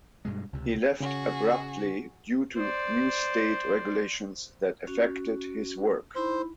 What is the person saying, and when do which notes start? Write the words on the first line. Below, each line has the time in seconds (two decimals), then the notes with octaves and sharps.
He left abruptly due to new state regulations that affected his work.
0.25 G2 B2 G#3
0.53 C#2 C3
1.00 C#3 C#4 F#4 G#4
2.56 C5 D5
4.87 C#4 F#4
6.15 D#4 E4 C5 B5